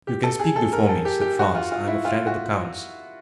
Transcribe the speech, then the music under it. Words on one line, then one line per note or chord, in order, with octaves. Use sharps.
"You can speak before me," said Franz; "I am a friend of the count's."
G4
A4
G#4
A4
A#4
A4
G4
G4
F#4
F4
F4
E4
F4
F#4